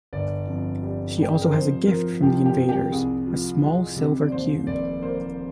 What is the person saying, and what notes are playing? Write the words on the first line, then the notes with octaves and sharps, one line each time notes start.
She also has a gift from the Invaders - a small silver cube.
G1 D5
F2
G3
G3 G4
G#4
A#4
F2 C5
F3 A#4
F2 G4
G4
F2
G4
C2 G#4
F3
G#3
C3
D5
D#2 C5
F1 D5
A#3 C5